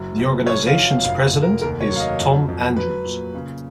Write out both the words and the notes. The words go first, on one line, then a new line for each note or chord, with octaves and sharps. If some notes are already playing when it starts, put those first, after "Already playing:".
The organization's president is Tom Andrews.
Already playing: F#1 F#3
F#1
F#2 C#5
F5
F3
F5
F1 F5
F1
A#4
D#2 A#4
C#5
F#3
F5
D#5
F2
F2
F#3 B4
A#2
C#3